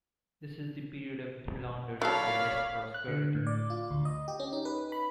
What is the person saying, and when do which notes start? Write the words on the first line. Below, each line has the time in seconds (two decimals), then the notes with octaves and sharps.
This is the period of Hilandar's greatest prosperity.
2.02 F#3 A4 C#5 D5 F5 B5
2.94 F#6
3.08 D3
3.35 A2
3.47 D5
3.70 F4
3.91 D2
4.05 D#5
4.28 G4
4.40 C#4
4.53 D#4
4.65 B4
4.92 B5